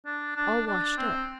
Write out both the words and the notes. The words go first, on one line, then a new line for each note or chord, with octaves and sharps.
All washed-up!
D4
D4
D4
C4